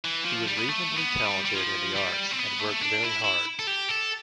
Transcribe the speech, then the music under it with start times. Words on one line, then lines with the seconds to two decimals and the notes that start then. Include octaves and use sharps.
He was reasonably talented in the arts and worked very hard.
0.04 E3
0.25 F3
0.47 G3
0.57 B3
0.69 A3
0.96 B3
1.25 G3
1.45 G3
1.54 F3
1.96 G3
2.32 C4
2.40 B3
2.61 A3
2.83 D4
3.04 E4
3.25 E4
3.59 A4
3.67 G4
3.89 A4